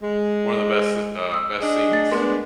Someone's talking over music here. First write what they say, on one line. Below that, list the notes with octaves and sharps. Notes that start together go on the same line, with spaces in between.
one of the best, uh, best scenes,
G#3
D#6 E6
D4 G#4 D#5
A3 A6
G#3 B3 D4 A#4 C6